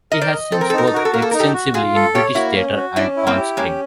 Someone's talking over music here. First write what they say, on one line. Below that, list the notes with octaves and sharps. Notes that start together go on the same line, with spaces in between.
He has since worked extensively in British theatre and on screen.
A#4 D#5
C5 D5
D#5
C4 A4
A#4
A4
D#4
A#4
A4
F#4 A#4
A4
A#3 A#4
A4
D#4 A#4
G4 A4
F#4
F4 F#4 G#4
A4
F4 G4 C#5
A#3 E4 F#4
C#4
F#4
C#4 D4 E4
E4
A#3 C4
G4
G#3 A#3 C#4